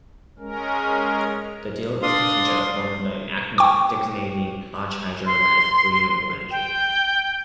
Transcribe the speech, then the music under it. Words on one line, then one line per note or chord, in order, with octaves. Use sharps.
The deal is contingent upon the enactment designating large hydro as "renewable energy".
G#3 C#4 A#4
D4 D5 F5 C6 D#6
G5 C#6 D6
C6
G5